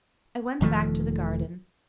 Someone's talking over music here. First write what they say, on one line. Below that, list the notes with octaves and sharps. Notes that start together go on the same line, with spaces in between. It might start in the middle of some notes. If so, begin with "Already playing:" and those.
I went back to the garden.
E1 D#3 F3 A3